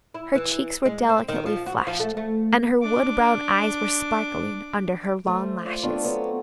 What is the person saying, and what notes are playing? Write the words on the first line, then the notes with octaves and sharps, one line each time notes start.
Her cheeks were delicately flushed, and her wood-brown eyes were sparkling under her long lashes.
E4
E3
G#3
C4
D#3
F3
F#4
F3
A3
A3
D4 D6
A3 C5 G#5
F4 D5
A3 B3 C4 D4 F4 B4
F#3 B3 F#4